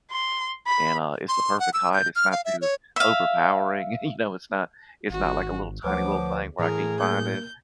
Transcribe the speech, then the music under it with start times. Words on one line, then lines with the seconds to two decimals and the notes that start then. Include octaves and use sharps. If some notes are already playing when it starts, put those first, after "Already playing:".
And, uh, it's the perfect height. It's not too overpowering. You know, it's not it's not like a little tiny little thing where I can't find it.
0.11 C6
0.67 B5
1.28 C6
1.59 F#5
1.73 E6
1.93 G6
2.15 F6
2.32 F5
2.45 E5
2.61 C#5
2.96 E5 F5
5.10 G#1 F#4
5.84 D2 F3 B4 C#5 F#5 D6
6.59 A2 E3 G#4 A#4
6.99 A#3 A#4 G6